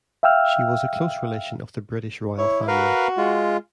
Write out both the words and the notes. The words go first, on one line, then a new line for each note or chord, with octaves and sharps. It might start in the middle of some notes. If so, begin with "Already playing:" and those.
She was a close relation of the British Royal Family.
E5 F5 G5 E6 F6
E4 C#5
F#4 A#4 B4 F5
G#3 F4